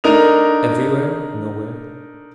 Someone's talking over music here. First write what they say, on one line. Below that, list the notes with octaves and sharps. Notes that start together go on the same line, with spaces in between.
"Everywhere; nowhere."
A3 D4 D#4 A#4 D#6 F7